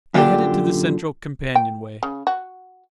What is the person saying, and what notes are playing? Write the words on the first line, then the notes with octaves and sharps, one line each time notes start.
I headed to the central companionway.
F#2 A#2 D3 D4 G4
G5
C#3
F#4